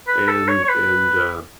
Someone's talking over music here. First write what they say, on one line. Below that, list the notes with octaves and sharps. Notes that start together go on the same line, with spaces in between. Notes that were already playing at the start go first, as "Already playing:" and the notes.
and and, uh
B4
A4
C#5
C#5
B4